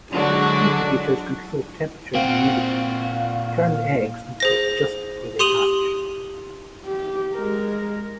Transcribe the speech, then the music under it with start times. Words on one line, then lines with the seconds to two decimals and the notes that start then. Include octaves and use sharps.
Incubators control temperature and humidity, and turn the eggs until just before they hatch.
0.11 D3 F#3 G#3 D4 F#4
2.15 A#2 C4 F#4 F5
4.40 G#4 C5 A#6
5.39 G4 C6 D#6 D#7 F7 F#7
6.86 G4
7.34 G#3 A#4